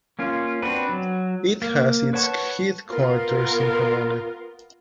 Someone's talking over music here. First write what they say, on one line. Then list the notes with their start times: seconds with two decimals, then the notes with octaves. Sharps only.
It has its headquarters in Havana.
0.19 A#3 C#4 F4
0.62 C4 D4 F#4 B4
0.89 F#3
1.62 A#3
2.13 B4 C#5 F#5 A5 C#6
2.89 B3 F4 A#4